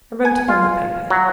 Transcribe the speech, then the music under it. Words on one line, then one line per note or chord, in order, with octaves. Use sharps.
"And wrote upon that paper."
G#5
F4
F#3